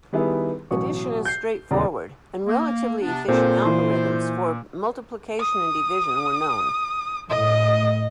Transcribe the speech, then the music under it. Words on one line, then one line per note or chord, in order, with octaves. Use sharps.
Addition is straightforward, and relatively efficient algorithms for multiplication and division were known.
D#3 G3 B3 E4 G#4 B4
A1 B2 F#3 C#6
G6 C7
D#1 E2 C#3 D5 A#5
A#3
C3 B3 D4
A#2 C4 A4 A#4 C5
E3 C6
D#6
A2 D#5 D#6